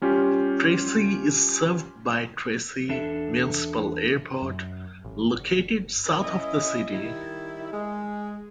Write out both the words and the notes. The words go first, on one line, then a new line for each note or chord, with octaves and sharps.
Tracy is served by Tracy Municipal Airport, located south of the city.
G3 C#4 F4 G4
E2 D4 A4 E5
F#2
A1
G1
C#4 D#4 A#4
C#4 E4 D#5
D#3 G3 E4
G#3